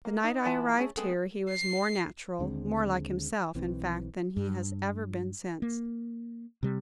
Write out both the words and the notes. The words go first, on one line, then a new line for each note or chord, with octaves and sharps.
The night I arrived here he was more natural, more like himself, in fact, than he has ever been since.
A#3
D#4
E3 E4 F4 A5 B5
A3 C#4 G#4
G#3 B3 C4 G#4 A4
C7
D#2 D3 G#3 C4
B1 E3 C4
G2
A#3
C3 G3